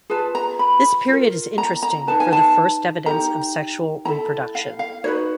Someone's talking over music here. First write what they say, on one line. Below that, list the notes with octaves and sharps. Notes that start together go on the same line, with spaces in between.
This period is interesting for the first evidence of sexual reproduction.
F4 G#4 B4 A5
A#5
B5
F4 A#4
A#5
A#5
D#4 G#4 B4 A5
G#5
A5
D#4 G4 A#4 A#5
E4 A4 A#5
F5
F5
D#4 F#4 B4 C#5